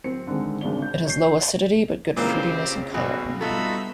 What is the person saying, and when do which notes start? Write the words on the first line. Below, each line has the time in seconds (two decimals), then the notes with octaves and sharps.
It has low acidity but good fruitiness and coloring.
0.04 D1 C4 C#7
0.27 D3 D#3 G#3 C4
0.61 G#1 C#3 D4 G7
0.82 G6
1.05 C#5 G6 C7
2.16 A#2 C#3 E3 A#3 C4 G4 C5
2.94 B1 B2 F#4
3.41 G2 B2 D#4 F4 F#4 A4 E5 B5